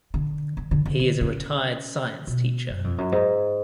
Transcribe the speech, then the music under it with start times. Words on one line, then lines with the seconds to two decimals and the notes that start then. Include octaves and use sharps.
He is a retired science teacher.
0.14 D3
0.57 D3
0.71 D3
0.86 D3
0.99 D3
1.21 C#3
2.27 B2
2.70 F#2
2.84 F2
2.98 F#2
3.12 G#2